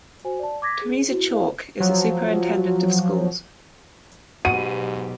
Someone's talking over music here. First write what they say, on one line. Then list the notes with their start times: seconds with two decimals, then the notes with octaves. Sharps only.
Teresa Chaulk is the Superintendent of Schools.
0.24 F#4 C5 G#5
0.39 D5 A5
0.62 D6 G#6 A#6 B6
0.82 G#4
1.10 E4 F#4
1.30 E4 G#4 A#4 C5 F5
1.80 F3 F#3
4.45 G#2 B2 F#3 F#4 G4 D#7